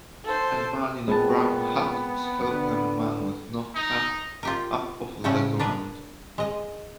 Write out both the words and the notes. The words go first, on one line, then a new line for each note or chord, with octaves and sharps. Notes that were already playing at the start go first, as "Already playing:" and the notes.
A man in a brown hat is helping a man with no hair up off the ground.
A4 C5
A#2 G#3 B3 C4 A5
D3 B4
D#4
F4 G4 A#4
A2 C#3 G3 A3 C#4
D4 A#4 B4
G#3 D#5